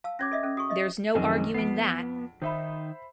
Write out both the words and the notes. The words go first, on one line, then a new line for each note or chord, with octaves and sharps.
There's no arguing that.
F5 A5 E6
C#4 F#4 C#5 D6 G#6 A#6
A4 D#5 E5
C#4 A4
F#4 G#4 C#6 D#6
D#5 E5
A#1 F#2 D#3 C4 G#4 A#4 D#5
F2 B3 F#5 C7 D7
D#3 D#4 C5 E5 B5